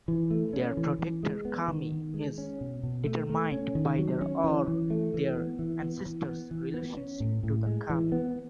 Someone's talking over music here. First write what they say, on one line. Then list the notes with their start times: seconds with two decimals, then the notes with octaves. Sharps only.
Their protector kami is determined by their or their ancestors' relationship to the kami.
0.08 E3
0.31 A3
0.53 C#4
0.77 E3
0.99 E3
1.23 G#3
1.45 B3
1.68 D#3
1.92 D#3
2.14 G#3
2.38 C#4
2.61 B2
2.83 B2
3.06 A3
3.30 A3
3.52 C#4
3.75 D#3
3.98 F#3
4.21 C#4
4.44 E3
4.68 E3
4.90 A3
5.14 E3
5.37 B3
5.59 E3
5.82 B3
6.06 E3
6.29 B3
6.51 E3
6.74 B3
6.97 C#4
7.20 A2
7.43 A2
7.66 G#3
7.90 E3
8.12 B3